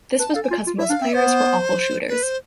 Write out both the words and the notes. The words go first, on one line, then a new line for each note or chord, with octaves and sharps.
This was because most players were awful shooters.
B4 A5
A4 F5
G#5
F4
F4
E4 E5
D4 F5
C4 E5
B3 C5
B4
C5